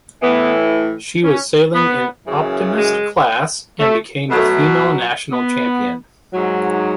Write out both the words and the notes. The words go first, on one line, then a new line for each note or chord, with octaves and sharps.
She was sailing in Optimist class and became the female national champion.
A2 E3 B3
C#4
B3
F#2 C#3 E3
G#3
A3
B2 F#3 A3
B3
G#2 F#3